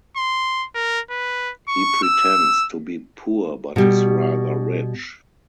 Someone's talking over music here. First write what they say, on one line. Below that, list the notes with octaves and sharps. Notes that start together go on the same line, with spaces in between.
He pretends to be poor but is rather rich.
C6
A#4
B4
C#6
E6
B2 G3